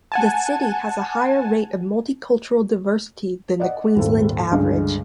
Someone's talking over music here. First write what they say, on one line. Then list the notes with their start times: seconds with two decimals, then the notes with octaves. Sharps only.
The city has a higher rate of multicultural diversity than the Queensland average.
0.12 F#5 G#5 A5
3.60 D5 D#5 F#5
3.96 D#1 G#1 A4
4.51 C#2 G2 D3 G#3